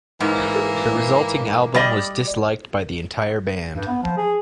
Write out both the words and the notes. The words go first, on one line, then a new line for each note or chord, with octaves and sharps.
The resulting album was disliked by the entire band.
G#2 E3 A#3
G3 D5 D#5
G2
B3
F3
G#4